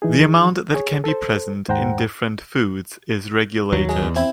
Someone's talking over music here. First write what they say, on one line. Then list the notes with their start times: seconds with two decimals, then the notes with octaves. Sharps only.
The amount that can be present in different foods is regulated.
0.02 E3 D#4 G#4
0.74 G#4 C#5
1.04 A4 C5
1.68 D#2 G#2 C5 F#5 G5 A#5
3.73 D#2 F#3
3.89 G#3
4.02 E2
4.16 C4 E4